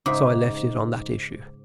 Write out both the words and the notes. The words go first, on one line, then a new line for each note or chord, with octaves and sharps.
So I left it on that issue.
G#2 C#3 D#4 C5 E5 D6